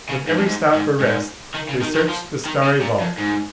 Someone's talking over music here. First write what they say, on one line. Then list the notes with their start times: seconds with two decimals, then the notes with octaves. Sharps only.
With every stop for rest we searched the starry vault.
0.09 C#3
0.27 G#2
0.37 F2
0.45 G#2
0.73 G#2
1.00 G#2
1.54 D#3
1.69 C#3
1.82 D#3
1.95 D#3
2.08 F3
2.45 D#3
2.63 C#3
2.81 A#2
3.00 F2
3.18 G#2